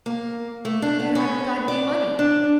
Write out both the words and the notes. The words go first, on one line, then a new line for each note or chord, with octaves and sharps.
"You haven't got any money."
A#3
A3
D4
B3
C#4
D5
D4